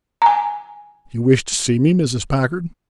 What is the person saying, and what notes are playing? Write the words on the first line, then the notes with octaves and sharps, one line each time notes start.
"You wish to see me, Mrs. Packard?"
G#5 A#5